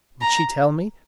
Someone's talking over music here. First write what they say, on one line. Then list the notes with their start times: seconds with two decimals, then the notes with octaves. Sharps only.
Would she tell me?
0.21 A#5